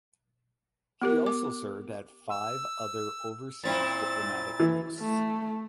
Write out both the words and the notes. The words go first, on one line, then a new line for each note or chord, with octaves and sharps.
He also served at five other overseas diplomatic posts.
B3 G4 A#4
D6
E6
A#2 C4 E4 A6
E3
A3